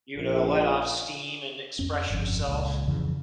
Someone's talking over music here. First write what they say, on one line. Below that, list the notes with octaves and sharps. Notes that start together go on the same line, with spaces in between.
you to let off steam and express yourself.
A#1
F2 C#4
G1 F2
C#2 A#2
F2 C#3 E3